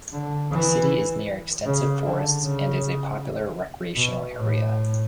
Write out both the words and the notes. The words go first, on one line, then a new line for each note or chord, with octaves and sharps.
The city is near extensive forests, and is a popular recreational area.
D3
E3
C#3
D3
C#3
B2
A2